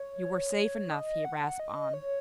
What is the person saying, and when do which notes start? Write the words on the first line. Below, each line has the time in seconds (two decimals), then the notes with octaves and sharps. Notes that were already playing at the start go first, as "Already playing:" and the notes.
"You were safe enough," he rasped on.
Already playing: C#5
0.90 D#5
1.25 F#5
1.60 D#5
1.94 C#5